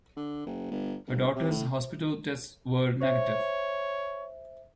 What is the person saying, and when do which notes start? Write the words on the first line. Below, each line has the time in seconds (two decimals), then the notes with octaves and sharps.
Her daughter's hospital tests were negative.
0.17 D3
0.46 F#1
0.71 G1
1.07 G1
1.36 C3
1.50 A2
3.02 C5 C#5 E5